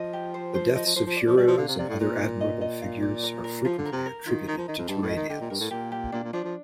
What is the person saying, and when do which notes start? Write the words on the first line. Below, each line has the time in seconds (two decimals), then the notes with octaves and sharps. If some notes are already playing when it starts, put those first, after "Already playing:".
The deaths of heroes and other admirable figures are frequently attributed to Turanians.
Already playing: F3 D#5
0.13 G4
0.34 C5
0.55 C5
0.75 F3 D#5
0.86 F3
0.96 F3 C5
1.07 F3
1.17 D5
1.27 F3
1.37 G3 D5
1.47 F3
1.58 D3 F5
1.68 C3
1.79 C3 D5
1.88 A2
1.99 A#2 A#4
2.20 A#4
2.41 D#5
2.61 D#5
2.82 F5
3.02 D5
3.23 A#4
3.44 A#4
3.64 F3 F4
3.78 D3
3.85 A#4
3.92 C3
4.06 A#4
4.26 D#3 F4
4.47 D#3 A#4
4.58 F3
4.68 D#3 D#5
4.78 F2
4.88 G2 A5
5.02 A2
5.09 D#5
5.16 D#3
5.29 D3 G4
5.40 A#2
5.50 G2 A#4
5.60 A2
5.71 A#2 G4
5.92 G4
6.12 A#2 D4
6.23 A#2
6.33 F3 D4
6.44 F3